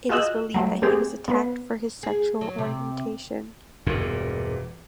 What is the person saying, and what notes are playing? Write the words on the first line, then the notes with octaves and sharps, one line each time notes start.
It is believed that he was attacked for his sexual orientation.
F4 F#4 G#4 D#5 E6 F#6
F#3 G3 A3
A3 A#3 C4 G4 G#4
B3 B4
G#4
F#3
C3
E1 G2 A#2